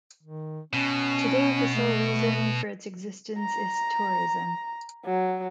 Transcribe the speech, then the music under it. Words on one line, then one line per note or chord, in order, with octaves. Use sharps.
Today the sole reason for its existence is tourism.
D#3
B2 C#4
A3
A#5
F#3